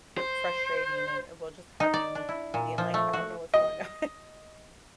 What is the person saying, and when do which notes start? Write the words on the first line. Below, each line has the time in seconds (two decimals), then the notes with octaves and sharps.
frustrating, and it will just have you being, like, "I don't know what's going on.
0.17 C5
1.80 D#4
1.94 D5
2.15 D4
2.29 E4
2.54 A#2
2.78 F3
2.94 A3
3.13 F#4
3.54 D#5